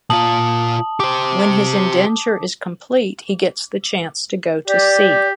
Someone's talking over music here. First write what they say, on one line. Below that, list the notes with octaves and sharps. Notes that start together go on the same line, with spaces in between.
When his indenture is complete, he gets the chance to go to sea.
A#2 F4 A5 D#6 F#7
G4 C5 D6
G4 D5